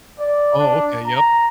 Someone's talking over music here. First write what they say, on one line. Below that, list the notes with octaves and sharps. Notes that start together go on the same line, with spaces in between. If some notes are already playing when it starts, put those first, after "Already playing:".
Oh, okay, yep.
D5
D4
A#5